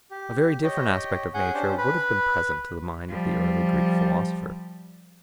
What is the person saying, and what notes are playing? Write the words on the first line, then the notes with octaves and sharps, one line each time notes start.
A very different aspect of nature would have been present to the mind of the early Greek philosopher.
G4
G4 C#5 D#5 G5
C#4 G#4 F#5 G#5 G6
C#4 D4 G4 C5
B4 B5
F3 G3